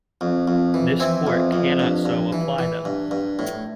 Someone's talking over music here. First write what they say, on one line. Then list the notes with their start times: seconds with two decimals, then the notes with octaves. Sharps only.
This court cannot so apply them.
0.21 F2
0.48 F2
0.74 E3
1.00 E3 C4 E4
1.27 F2
1.52 F2
1.79 G2
2.05 G2
2.33 E3
2.58 E3
2.85 G2
3.11 G2
3.39 A2